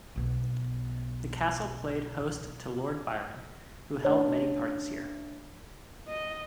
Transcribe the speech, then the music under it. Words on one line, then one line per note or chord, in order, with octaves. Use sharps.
The castle played host to Lord Byron, who held many parties here.
B1 B3
A1 D4 C#5
D#5